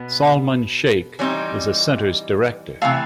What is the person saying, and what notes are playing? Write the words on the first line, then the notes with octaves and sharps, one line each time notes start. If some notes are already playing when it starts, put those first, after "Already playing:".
Salman Shaikh is the Center's Director.
Already playing: B2 B3
E3 G3 C4 D#4 C#5
C3 E3 A3 F5